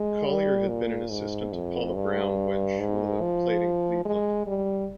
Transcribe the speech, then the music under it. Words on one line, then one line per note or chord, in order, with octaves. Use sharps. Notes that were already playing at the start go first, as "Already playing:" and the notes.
Collier had been an assistant to Paul Brown when Shula played in Cleveland.
Already playing: G#3
G3
A#2
G#2
F2
G2
G#2
F3
G#3
G3